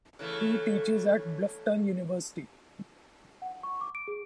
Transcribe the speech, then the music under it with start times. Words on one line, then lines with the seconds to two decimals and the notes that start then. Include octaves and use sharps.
He teaches at Bluffton University.
0.19 C#3 E3 A3
3.42 F#5
3.63 C#6
3.81 D6
3.95 D7
4.08 G#4